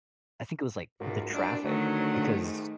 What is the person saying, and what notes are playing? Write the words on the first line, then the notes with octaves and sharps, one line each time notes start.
I think it was, like, the traffic because
C#2 G#2 F#4 A#4
C2 D4
D3 D#3 F#3 A3 D4 C5
G#2